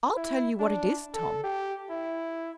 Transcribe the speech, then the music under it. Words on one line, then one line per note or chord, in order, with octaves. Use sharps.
"I'll tell you what it is, Tom."
E4
D4
A4
G4
E4